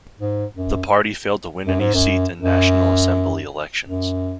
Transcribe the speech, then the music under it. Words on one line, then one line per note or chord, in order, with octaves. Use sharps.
The party failed to win any seat in National Assembly elections.
G#2
F#2
F#2
G#2
F#2
F#2
F#2